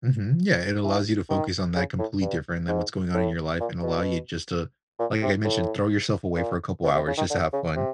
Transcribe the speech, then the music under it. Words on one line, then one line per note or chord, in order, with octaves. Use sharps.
Mhm, yeah, it allows you to focus on that complete different than what's going on in your life and allow you just to, like, I mentioned, throw yourself away for a couple hours just to have fun.
E3
D#3
C#3
A2
G2
G#2
A2
A#2
B2
A#2
C3
A2
A#2
B2
C3
C#3
D#3
D3
C#3
C3